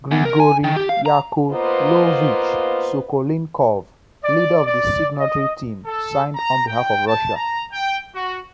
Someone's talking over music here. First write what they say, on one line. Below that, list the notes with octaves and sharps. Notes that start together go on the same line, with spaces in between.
Grigori Yakovlovich Sokolnikov, leader of the signatory team, signed on behalf of Russia.
E2
A#4
G#5
D#3
G4
F5
A#5
A#3 B3 D#4 F4 B4 C5
D5
D5
D#5
A4
A#5
G5
A5
A#5
G5
F#4